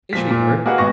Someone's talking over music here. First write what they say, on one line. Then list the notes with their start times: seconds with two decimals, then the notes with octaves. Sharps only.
"Is she hurt?"
0.13 A#2 F3 B6
0.31 A#2
0.50 E3
0.66 A#3 F#4 G#4 B4 D#5 F#5
0.78 G#1 B3 C#6 A#6